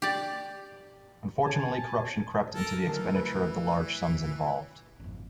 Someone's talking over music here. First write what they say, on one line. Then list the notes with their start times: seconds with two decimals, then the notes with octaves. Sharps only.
Unfortunately corruption crept into the expenditure of the large sums involved.
0.02 G4 D5
1.42 G#5 A5
2.54 A4 A#4
2.87 D3 E3 F#3 A3 A#4 A5
3.15 B4
5.00 G#1 F2